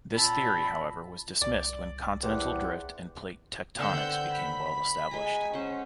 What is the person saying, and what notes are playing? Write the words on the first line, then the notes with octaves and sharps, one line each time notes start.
This theory however was dismissed when continental drift and plate tectonics became well established.
A#2 C4 A5 B5
C2 D5
E2 G4 C5 F#5
D3 B3 C4 F#5 E6 G6
B5 B6
G#3 G#5 A#5
C#4 C5 F#5